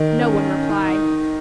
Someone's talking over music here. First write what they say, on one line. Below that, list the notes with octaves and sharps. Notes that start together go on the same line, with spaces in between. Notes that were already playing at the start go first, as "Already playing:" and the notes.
No one replied.
Already playing: D#3
C#4
D#4